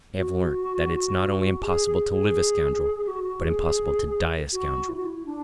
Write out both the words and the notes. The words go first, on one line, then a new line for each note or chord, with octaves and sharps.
I have learnt that it's not only impossible to live a scoundrel, but impossible to die a scoundrel....
F#4
G#4
G#4
G#4
F#4
G#4
F#4
E4
F#4
E4
D4